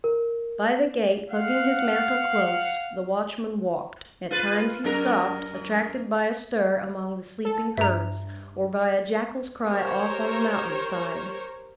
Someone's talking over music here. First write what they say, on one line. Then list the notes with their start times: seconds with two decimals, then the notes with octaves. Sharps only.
By the gate, hugging his mantle close, the watchman walked; at times he stopped, attracted by a stir among the sleeping herds, or by a jackal's cry off on the mountain-side.
0.04 A#4
1.30 F5 F#5
4.31 F4 B4
4.84 F#2 A#4
7.45 A4
7.77 G2 E5 A#5
9.64 G4 A#4 C5 C#5